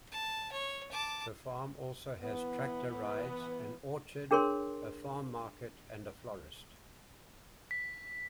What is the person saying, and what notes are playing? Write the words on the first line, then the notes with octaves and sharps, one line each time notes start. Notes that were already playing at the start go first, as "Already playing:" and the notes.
The farm also has tractor rides, an orchard, a farm market and a florist.
A5
C#5
A5 D6
E3 B3
D4 G#4 A#4 C#5 C6
B6